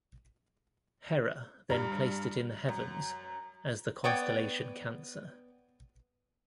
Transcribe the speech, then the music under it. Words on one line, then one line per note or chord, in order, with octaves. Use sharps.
Hera then placed it in the heavens as the constellation Cancer.
G2 G3 A#5
F#2
B3 C#5 D5 G5